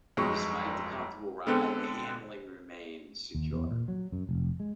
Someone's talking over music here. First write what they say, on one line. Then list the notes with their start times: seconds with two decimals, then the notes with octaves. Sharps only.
Despite the comfortable ride, the handling remained secure.
0.17 G1 F2 F#3 G#3 D#4 C#6
1.47 D3 G#3 B3 C4 A4
3.35 D#2
3.53 E2
3.71 A#2
3.88 F#3
4.12 F#2
4.29 F1
4.60 G#3